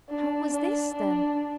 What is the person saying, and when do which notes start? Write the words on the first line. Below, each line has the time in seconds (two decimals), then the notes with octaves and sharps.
How was this, then?
0.10 D4
0.53 D4
0.94 D4